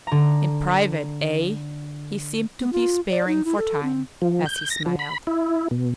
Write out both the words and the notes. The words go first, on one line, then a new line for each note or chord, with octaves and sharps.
"In private, eh?"--he seemed to be sparring for time, as he smiled.
D3 A#5
B3
F4
D5
D#4
E4
A4
C4
F3
G6
A#6
F3
B5
E4
B2